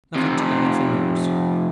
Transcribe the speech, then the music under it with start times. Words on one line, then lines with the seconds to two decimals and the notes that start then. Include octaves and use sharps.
Nothing to day for news.
0.16 F2 C3